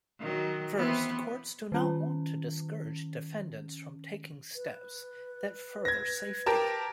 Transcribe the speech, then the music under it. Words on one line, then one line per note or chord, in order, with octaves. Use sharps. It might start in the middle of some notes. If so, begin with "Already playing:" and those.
First, courts do not want to discourage defendants from taking steps that further safety.
D#3 F#3
E3 B3 C4
D#3 C#4
B4
G#6 A#6
G4 A#4 A5